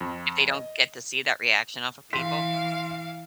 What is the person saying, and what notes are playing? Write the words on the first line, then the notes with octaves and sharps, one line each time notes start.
If they don't get to see that reaction off of people,
F2
D#5
E3 F5 C6 B6